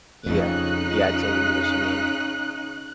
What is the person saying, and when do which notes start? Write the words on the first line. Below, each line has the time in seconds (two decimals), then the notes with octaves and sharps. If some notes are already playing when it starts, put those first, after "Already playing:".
Yeah. Yeah, I totally get what you mean.
0.26 F2 C#3 D#4 F#6